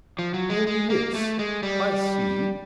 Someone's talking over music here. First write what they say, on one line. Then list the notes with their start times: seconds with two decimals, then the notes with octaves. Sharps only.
"Oh, yes, I see."
0.19 F3
0.34 F#3
0.50 G#3
0.67 G#3
0.90 A#3
1.14 A3
1.39 G#3
1.63 G3